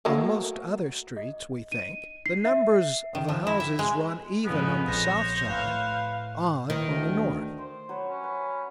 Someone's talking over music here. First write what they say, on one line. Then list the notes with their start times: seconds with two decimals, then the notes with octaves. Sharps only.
On most other streets, we think, the numbers of the houses run even on the south side, odd on the north.
0.05 F#3 A3 A#3
1.17 D#5
1.72 D#7
2.26 C7
2.45 E5
3.15 D#3
3.29 F3
3.47 E4
3.60 E5
3.79 G#3
4.45 F2 G#2 C#3 B3
4.88 A#1 C5 C#5 A#6
5.49 A2 B4 F5
6.70 D#3 E3
6.87 D2
7.59 C5
7.89 F#3 B4 C#5
8.07 C#4
8.23 B4